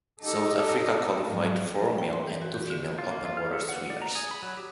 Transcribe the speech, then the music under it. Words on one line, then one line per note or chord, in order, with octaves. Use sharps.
South Africa qualified four male and two female open water swimmers.
D#4 G4 A4 D#5
G#2 F3 F#3
G5
C6
E3
F#4
G6
D3
F4
A#3
F4
F6
A4
F#5
D5
A#5
G#4
B5
F#3
G4